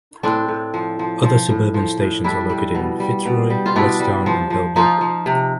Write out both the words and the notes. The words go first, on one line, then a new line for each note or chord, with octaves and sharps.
Other suburban stations are located in Fitzroy, Westown and Bell Block.
A2 C4 D4
A2
F3
F3
F3
A2
F3
A2
G3 D4 E4
G3
B2
G3
B2
G3
F4
B2 D4 E4
G3
F3
F3
F3 D#4 F4
F3
C3